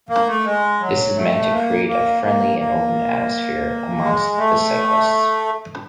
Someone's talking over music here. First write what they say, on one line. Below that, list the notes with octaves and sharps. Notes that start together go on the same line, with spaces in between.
This is meant to create a friendly and open atmosphere amongst the cyclists.
A#3
A3
G#3
F#3
A3
A#3
A#3
A#3
A#3
G#3
A3